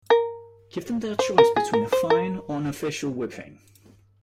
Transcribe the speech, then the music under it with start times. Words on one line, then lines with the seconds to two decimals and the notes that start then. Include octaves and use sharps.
Give them their choice between a fine or an official whipping.
0.10 A#4
1.19 C5
1.38 A#4
1.56 G#4
1.73 A#4
1.92 C5
2.10 A#4